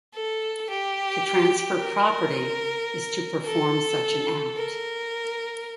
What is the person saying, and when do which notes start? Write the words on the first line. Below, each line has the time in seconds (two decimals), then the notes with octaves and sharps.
To transfer property is to perform such an act.
0.15 A4
0.70 G4
1.80 A#4
3.46 A4
4.56 A#4